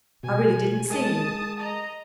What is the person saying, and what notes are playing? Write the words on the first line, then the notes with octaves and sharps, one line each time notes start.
I really didn't see you.
B2 G#5
G#3 G#4 A#4 A5 D#6
D#5 A#5